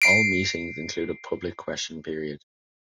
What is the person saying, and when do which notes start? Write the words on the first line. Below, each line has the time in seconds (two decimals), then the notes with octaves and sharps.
All meetings include a public question period.
0.02 C7 D7